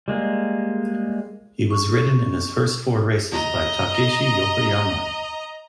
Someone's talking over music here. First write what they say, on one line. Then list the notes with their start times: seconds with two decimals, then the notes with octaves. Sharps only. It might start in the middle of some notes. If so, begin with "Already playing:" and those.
He was ridden in his first four races by Takeshi Yokoyama.
0.08 G3 G#3 A#3
1.70 C#6
3.31 D#5 A#5